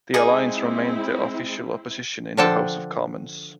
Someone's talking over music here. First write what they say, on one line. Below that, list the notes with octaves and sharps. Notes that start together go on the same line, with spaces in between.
The Alliance remained the Official Opposition in the House of Commons.
G#3 C4 D#4 E4 G#4
D3 F3 D4 A4 G5 A5